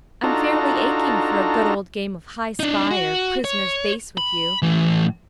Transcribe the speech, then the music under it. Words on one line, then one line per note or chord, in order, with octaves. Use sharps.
I'm fairly aching for a good old game of hi spy or prisoner's base with you.
D4 D#4 F4 F#4 A4 A#5
D4 D#4
F#4
C#5
B5
A2 E3